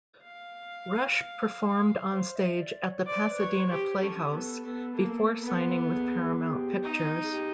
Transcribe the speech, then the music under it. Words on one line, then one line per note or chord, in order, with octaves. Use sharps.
Rush performed on stage at the Pasadena Playhouse before signing with Paramount Pictures.
F5
C5
E5
D5
C#5
C5 D5
B4
C#5
C5
G4
C#4 A4
B3
B3
A#3
B3
G#4
G#4
G4
D#4
G#4
G4